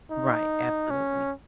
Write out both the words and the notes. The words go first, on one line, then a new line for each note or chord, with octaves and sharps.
Right. Absolutely.
D#4
C#4